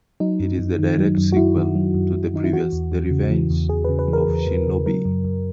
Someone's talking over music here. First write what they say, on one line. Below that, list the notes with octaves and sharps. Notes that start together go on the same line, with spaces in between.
It is the direct sequel to the previous "The Revenge of Shinobi".
F#3 D#4
F#2
F#2
D#3
F#3
F#2
F#4
F#2 E4
D#3
F#3
F#2
F#2
D#3 D#4
E4
E3 F#4
E2
E2
C#3
E3
E2
E2 G#4
C#3 B4
B4
E3
A#4
E2
E2
C#3
F#3 A#4
F#2
F#2